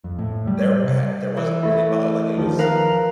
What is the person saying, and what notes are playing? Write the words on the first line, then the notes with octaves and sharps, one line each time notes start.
There had there wasn't any bug, like, it was
F2
A2
G3
C3
E3
A3 E4
D#3 F3
A#4 B4 F5